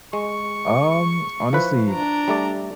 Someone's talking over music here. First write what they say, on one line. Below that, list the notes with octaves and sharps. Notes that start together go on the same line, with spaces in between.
Um, honestly
G#3 C#6
F3 E4 B4
D4 A#5
G3 A3 D5